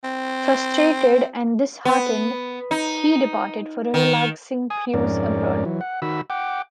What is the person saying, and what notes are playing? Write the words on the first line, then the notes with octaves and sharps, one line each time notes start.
Frustrated and disheartened, he departed for a relaxing cruise abroad.
C4
B3
D#4
D#3
G#5 D#6
F2 G#2 C#4 A#4 D5
E3 F#3
F#5
D#3 F#4 B5 E6
F#5 G5 D6